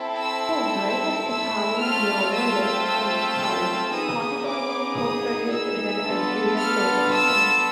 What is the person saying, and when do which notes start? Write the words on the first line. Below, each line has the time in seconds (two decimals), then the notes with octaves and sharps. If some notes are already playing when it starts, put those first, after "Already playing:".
Though very much Italian neorealist in style, Pontecorvo co-produced with an Algerian film company.
Already playing: C4 E4 A4
0.20 E6
1.28 E6
1.80 A3 C4 F4 A4 F6
2.33 E6
2.87 E6
3.92 B3 D#4 G#4 D#6
4.45 D6
4.98 D#6
5.52 E6
6.04 B3 D4 F4 A4
6.58 F6
7.11 E6